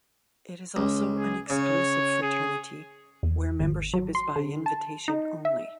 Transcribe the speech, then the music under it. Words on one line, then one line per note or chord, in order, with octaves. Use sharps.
It is also an exclusive fraternity where membership is by invitation only.
C#2
G#4
C#3 C#5
G#4
E2
G#1
F#3
C6
D3
A5
D#4
E5